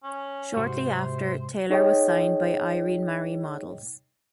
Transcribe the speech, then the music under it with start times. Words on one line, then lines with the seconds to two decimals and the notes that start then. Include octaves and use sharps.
Shortly after, Taylor was signed by Irene Marie Models.
0.04 C#4
0.56 G#2 C3 F#4 C5
1.70 D#4 G#4 C#5 D#5 G5